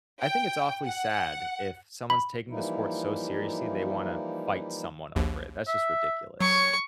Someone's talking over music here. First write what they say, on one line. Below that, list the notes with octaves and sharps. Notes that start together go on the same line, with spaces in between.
I think it's awfully sad if someone's taking the sport so seriously, they want to fight someone over it. That's just ridiculous.
G5
F#5
B5
E3 F3 G3 A#3 D#4 E4
A#1 D#2
E5
F#3 C#5 C#6